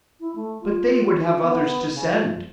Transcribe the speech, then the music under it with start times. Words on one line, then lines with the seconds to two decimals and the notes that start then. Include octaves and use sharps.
But they would have others to send.
0.20 E4
0.35 A3
0.61 F4
1.42 B3
1.94 C#3
2.07 F3